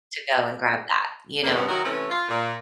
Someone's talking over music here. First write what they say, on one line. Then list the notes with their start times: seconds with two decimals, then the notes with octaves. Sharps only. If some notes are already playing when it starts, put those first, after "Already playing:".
To go and grab that, you know?
1.42 E2 D3 A#3
1.54 G2 B3 C#4
1.67 D#3 F#3 E4 F#4 A#4 D#5
1.83 C3 E3 A3 C#4
2.10 F4
2.29 A#2